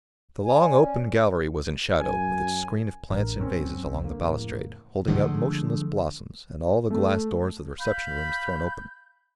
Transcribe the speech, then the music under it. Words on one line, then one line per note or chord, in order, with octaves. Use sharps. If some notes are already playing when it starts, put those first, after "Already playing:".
The long open gallery was in shadow, with its screen of plants in vases along the balustrade, holding out motionless blossoms, and all the glass doors of the reception-rooms thrown open.
D5 G#5
C#4
F#2 G#5
A1 A2 D4 A#4
C4 C#4
F#2
C2
D3 A#3
F2 A2 C#3
D3 F3 G#3 A3
A3
F5 B5 G6